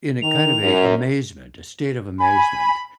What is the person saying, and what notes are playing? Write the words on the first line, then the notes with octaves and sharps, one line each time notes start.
in a kind of a amazement, a state of amazement,
D#3 F7
F#2
G#5 B5